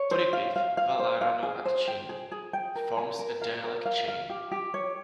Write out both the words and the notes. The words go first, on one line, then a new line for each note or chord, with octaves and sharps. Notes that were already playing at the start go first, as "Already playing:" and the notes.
Uripiv-Wala-Rano-Atchin forms a dialect chain.
Already playing: C#5
C5
F5
F5
F5
C5
F5
G#4
C5
G5
G#4
G#4
G5
A#4
G#5
A#4
F5
A#4
F5
F5
G4
G4
C#5